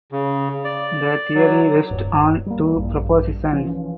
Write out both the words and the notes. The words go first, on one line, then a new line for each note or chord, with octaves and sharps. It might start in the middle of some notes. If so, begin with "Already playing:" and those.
The theory rests on two propositions.
C#3
D5
F#3
D1 G2
G3 A#3
A#1 G2
E3 F3 C#4